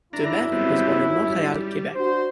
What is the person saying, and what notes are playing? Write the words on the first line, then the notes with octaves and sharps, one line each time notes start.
Demers was born in Montreal, Quebec.
G#1 F#2 D4 E4 A#5
G3 B3 C4
G3
D4 F#4 C5